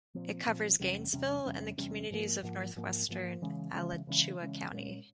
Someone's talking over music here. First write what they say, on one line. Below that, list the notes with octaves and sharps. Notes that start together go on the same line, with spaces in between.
It covers Gainesville and the communities of northwestern Alachua County.
A#2 F3 C4
A#2 F3 C4
E2 C3 G3 C#4
E2 C3 G3 C#4
E2 C3 G3 C#4
E2 C3 G3 C#4
G#2 F3 A#3
G#2 F3 A#3
G#2 F3 A#3
G#2 F3 A#3
C#3 E3 G#3 C#4
C#3 E3 G#3 C#4
C#3 E3 G#3 C#4
C#3 E3 G#3 C#4
A#2 G#3 C#4